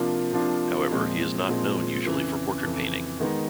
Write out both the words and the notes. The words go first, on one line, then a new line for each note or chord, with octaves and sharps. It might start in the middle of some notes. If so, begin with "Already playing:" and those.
However, he is not known usually for portrait painting.
Already playing: C3 F3 A#3 D4 F4
C3 F3 A#3 D4 F4
A#2 F3 G#3 C4
A#2 F3 G#3 C4
F2 C#3 E3
F2 C#3 E3
D#3 G#3 B3 D#4